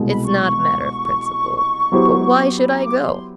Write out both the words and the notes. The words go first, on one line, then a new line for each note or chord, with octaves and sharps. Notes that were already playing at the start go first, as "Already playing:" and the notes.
"It's not a matter of principle, but why should I go?"
Already playing: C2 B2 G#3
B5
C#6
C#6
F#3 B3 E4 G4 C5
C#6
B5
A#5
D6
C6